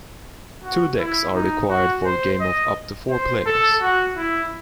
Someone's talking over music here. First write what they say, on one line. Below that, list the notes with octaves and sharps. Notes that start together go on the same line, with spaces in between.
Two decks are required for game of up to four players.
F#4
E4
D#4
F#4
C5
D#5
C5
A4
F#4
E4